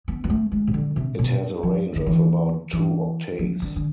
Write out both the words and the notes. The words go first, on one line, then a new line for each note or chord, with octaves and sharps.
It has a range of about two octaves.
B3
B3
A3
G#3
C3
D3
C3
B2
F3
D3
E3
E3
F3
D3
D3